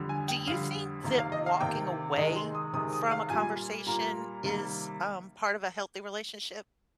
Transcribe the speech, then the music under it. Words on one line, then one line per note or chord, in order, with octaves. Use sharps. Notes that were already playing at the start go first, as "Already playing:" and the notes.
Do you think that walking away from a conversation is, um, part of a healthy relationship?
Already playing: F2 D3 G3
G#5
G5
F2 D3 G3 F5
C3 D#3 A#3
F5
D#5
F5
C3 D#3 A#3 G5
C3 D#3 G#3 D#5
C6
D#6
C3 D#3 G#3 D#6
D#6
F5
A#2 G3 A#3 G#5
A#2 G3 A#3 A#5
C3 D#3 G3 A#3